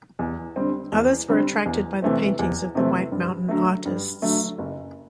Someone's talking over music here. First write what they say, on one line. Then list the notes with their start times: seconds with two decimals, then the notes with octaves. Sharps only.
Others were attracted by the paintings of the White Mountain artists.
0.19 E2
0.56 D3 G3 C4
0.92 E2
1.28 D3 G3 C4
1.66 E2
2.02 C3 E3 A3 C4
2.39 E2
2.75 C3 E3 A3 C4
3.12 G2
3.49 D3 F#3 A3
3.85 G2
4.22 D3 F#3 A3
4.58 F#1